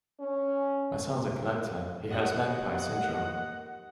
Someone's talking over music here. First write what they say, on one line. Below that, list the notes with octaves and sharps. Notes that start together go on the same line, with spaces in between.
My son's a collector: he has magpie syndrome.
C#4
D#2 D#5 F#5